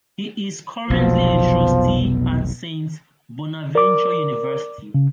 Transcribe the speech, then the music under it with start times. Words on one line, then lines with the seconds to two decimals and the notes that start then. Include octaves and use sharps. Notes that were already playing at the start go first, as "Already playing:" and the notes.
He is currently a Trustee at Saint Bonaventure University.
0.90 F1 B1 F2 B2 F3
3.75 A#4 D5 D6
4.94 C#3